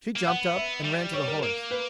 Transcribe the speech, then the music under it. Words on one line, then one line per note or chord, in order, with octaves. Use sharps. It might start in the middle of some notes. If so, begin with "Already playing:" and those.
She jumped up and ran to the horse.
A#3
B3 F#5
E5
G3
C#5
A#4
A#3 A#4
B4